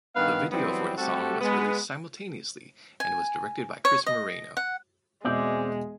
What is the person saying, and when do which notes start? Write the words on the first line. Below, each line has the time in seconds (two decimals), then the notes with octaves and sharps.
The video for the song was released simultaneously and was directed by Chris Moreno.
0.16 G2 D#3 B3 B4 F5
0.52 E3 F#3 G3 B3 C4
0.98 G3 A3 C4 F#4 G4 A4
1.41 G#3 B3
3.00 G#5
3.85 C#5
4.06 D#5
4.57 F#5
5.25 E1 B2 G#3 C4 D5 E5